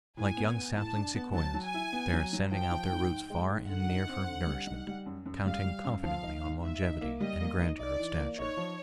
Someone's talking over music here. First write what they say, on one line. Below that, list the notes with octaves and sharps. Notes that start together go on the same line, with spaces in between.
Like young sapling sequoias, they are sending out their roots far and near for nourishment, counting confidently on longevity and grandeur of stature.
A2 G#5
B3
B3
A2 A5
D4
B3
F#3 A5
F#3
G#5
E4
B3
F#3
F#3
F3 G5
F3
G#2
G#2
G#3
G#2
D3 F#5
D#4
C4
D3
G3
D#4
G3
F#2
F#2
G3 F5
G3
F#2
F3 F5
D#4
G#2
G#2 E5
D#4
A#3
G3 D#5
A#3
D#4
D#4 D5
E3
A#3
D#4 C#5
F3